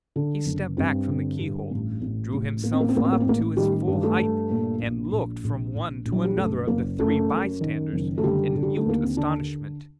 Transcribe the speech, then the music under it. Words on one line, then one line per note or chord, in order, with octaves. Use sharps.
He stepped back from the keyhole; drew himself up to his full height; and looked from one to another of the three bystanders, in mute astonishment.
D3
F#1
G2 C4
D3
G2
A1
A1
A1
A1 A#3
C4
A#3
C4
A1 A#3
C4
A#3
C4
A1 A#3
D#3 G3
G2
A3
G2
A#2
A#1
A#1
A#1
A#1
A#1
F#3
G3
F#1 A3
F#1 A#3
F#2 A3
F#2
D#3
F#1
A3
D3 G3
D3
G3
A3
D#2 A#3
C4
D3 D4